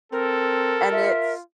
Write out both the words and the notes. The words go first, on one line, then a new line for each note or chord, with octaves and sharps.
and it's
C4 A4 A#4
F4 E5